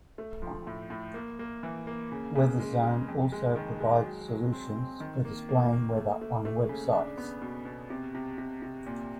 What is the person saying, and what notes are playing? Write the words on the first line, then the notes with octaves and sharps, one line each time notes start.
Weatherzone also provides solutions for displaying weather on websites.
A3
F3
A2
A2
A#3
A#3
E3
A#3
C#3
C#3
G#3
G#3
F2
G#3
D#3
G#3
F#3
F#3
C4
C4
D#3
A#3
A#3
A#3
A3
A3
A3
C#3
D4
B3
B2
B2
C3
C3
C3
C3
A#2